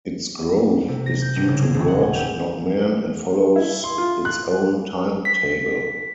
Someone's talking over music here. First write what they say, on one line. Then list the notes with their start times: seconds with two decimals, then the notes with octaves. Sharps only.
Its growth is due to God, not man, and follows its own timetable.
0.88 C3
1.06 A#6
1.22 G6
1.36 G#1
1.48 C#3
1.62 G#4
1.74 D#1
1.88 F#5
2.01 G#5
2.14 G4
3.56 E4
3.84 C6
3.98 F4
4.25 F#6
5.25 B6